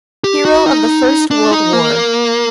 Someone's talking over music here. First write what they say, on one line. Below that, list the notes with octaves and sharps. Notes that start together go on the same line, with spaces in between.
Hero of the First World War.
G4
F#4
D#4
D4
D#4
A#3